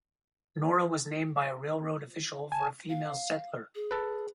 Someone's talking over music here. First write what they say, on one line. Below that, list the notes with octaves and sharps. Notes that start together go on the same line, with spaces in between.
Nora was named by a railroad official for a female settler.
G#5 A5
F5
G#4
A4 B4